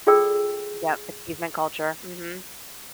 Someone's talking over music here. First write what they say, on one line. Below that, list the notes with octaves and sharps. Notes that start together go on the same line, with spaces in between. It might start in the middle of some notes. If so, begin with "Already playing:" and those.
Yep. Achievement culture. Mhm.
F4 G#4 A4 D5 G5 E6